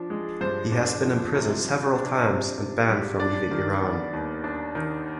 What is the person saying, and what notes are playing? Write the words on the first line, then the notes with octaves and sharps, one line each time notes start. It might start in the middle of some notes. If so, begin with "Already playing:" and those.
He has been imprisoned several times and banned from leaving Iran.
Already playing: F3 D4
G#3
G2 C5
D4
F3
C3
G3
D4
C3
C3
G3
D4 D5
D#3
B3
D#2
D4
D#3